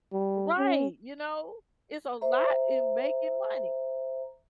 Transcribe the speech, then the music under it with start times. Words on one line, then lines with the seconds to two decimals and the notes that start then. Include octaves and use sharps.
Right, you know? It's a lot in making money.
0.13 G3
0.58 C#4
2.21 C5 E5 A#5